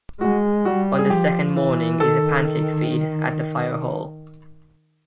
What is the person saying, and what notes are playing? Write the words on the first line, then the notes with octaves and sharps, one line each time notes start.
On the second morning is a pancake feed at the firehall.
G#3 F#4
G3 F#4
G#4
F3 G4
E3
D#3 A4